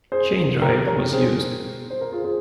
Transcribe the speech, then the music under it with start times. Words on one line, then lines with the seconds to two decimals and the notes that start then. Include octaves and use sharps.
Chain drive was used.
0.12 G#4 C5
0.62 G4 A#4
0.87 A#4 C#5
1.12 G#4 C5
1.90 C5
2.01 A#4
2.12 F4 G#4
2.24 G#4 C5